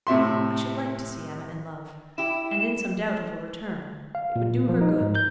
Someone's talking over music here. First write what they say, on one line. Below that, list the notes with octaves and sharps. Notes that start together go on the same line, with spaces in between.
I should like to see Emma in love, and in some doubt of a return; it would do her good.
A2 C3 E5 C6
E4 G4 E7
F5
A#2
F3
D#4
G#2
G6